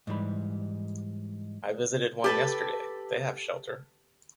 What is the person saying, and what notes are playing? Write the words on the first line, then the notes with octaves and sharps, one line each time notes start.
I visited one yesterday, they have shelter.
G#2 E3 G3 B5
G4 A4 B4